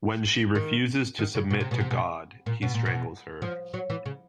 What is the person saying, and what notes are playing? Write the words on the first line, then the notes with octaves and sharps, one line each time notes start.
When she refuses to submit to God, he strangles her.
D#3
D#3
C#3
B2
C3
B2
C3
B2
A#2
B2
A#2
B2
F3
F#3
E3
C#3